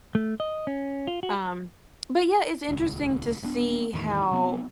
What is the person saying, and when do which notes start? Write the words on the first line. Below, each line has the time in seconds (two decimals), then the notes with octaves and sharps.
Um, but, yeah, it's interesting to see how
0.15 A3
0.40 D#5
0.67 C#4
1.07 F4
1.23 F#4
2.68 D#1 C#2
3.42 D#1 G2 B3 D4
3.93 E2 A2 D#3 E3
4.31 C3 F#3 B3 C4